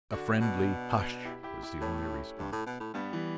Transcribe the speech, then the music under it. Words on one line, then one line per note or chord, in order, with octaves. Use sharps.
A friendly "hush!" was the only response.
D3 D4 F#4
B2
E4 G4
E4 G4
E4 G4
A2 A3 C#4
G2
A2
B2
A2
G2 G3 B3
E3 G3